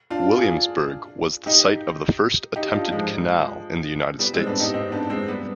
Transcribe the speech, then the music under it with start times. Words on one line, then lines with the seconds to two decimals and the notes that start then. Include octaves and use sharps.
Williamsburg was the site of the first attempted canal in the United States.
0.10 D4 F4
0.37 F4 G#4
1.46 D#4 G4
2.56 D#4 G4
2.69 D#4
2.73 D4 F4
2.92 F3 G#3
4.19 G3 B3
4.34 G#3 C4
4.47 B3 D4
4.60 D#4 G4
4.74 C4 D#4
4.92 B3 D4
5.10 G#3 C4
5.28 G3 B3